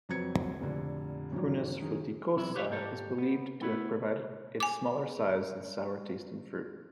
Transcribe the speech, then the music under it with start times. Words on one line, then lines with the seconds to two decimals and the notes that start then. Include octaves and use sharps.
"Prunus fruticosa" is believed to have provided its smaller size and sour tasting fruit.
0.09 F2 F#3 C4 B4 G#6 C#7
0.60 F1 A#2 D3
1.32 F#2 A#2 D#3 F3 F#3
1.80 D#3 F#3 G#4
2.35 B1 E2 C3 F#3 E4
2.55 G4 B4 C#5 E5 F5
2.70 G#2 A#3 G4 A4
3.18 B3
3.61 A3 B3 E4 B4
4.60 G#5 D6